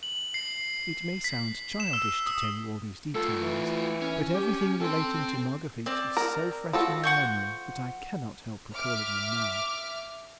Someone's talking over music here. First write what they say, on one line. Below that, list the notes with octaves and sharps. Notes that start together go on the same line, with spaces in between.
It may sound childish to tell you all these details, but everything relating to Marguerite is so fresh in my memory that I can not help recalling them now.
F#7
C7
B6
E7
E6
D#6
A3 F4 A4
E3
C#4
G4
C4 A4 C6
C4 D5
A#4
F3 F#4 A4
F#5 C#6 G6
E5 D6 F6